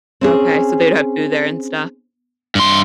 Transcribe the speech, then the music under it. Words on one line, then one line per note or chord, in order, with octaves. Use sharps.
Okay, so they'd have food there and stuff?
C4 C#4 G#4
G2 C6